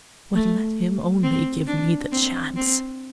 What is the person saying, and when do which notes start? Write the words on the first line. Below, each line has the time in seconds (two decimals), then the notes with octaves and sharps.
But let him only give me the chance!
0.34 A3
1.23 C4
1.67 D4
2.12 C4
2.56 C4